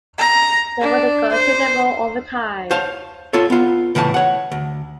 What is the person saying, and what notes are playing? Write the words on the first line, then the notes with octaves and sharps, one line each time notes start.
They worked considerable overtime.
A#5
D4
C5
C5 C#5 F5 A5
F4 A4 C#5
B3 F4
A2 C#3 E3 E5 A5
C#5 F#5
D2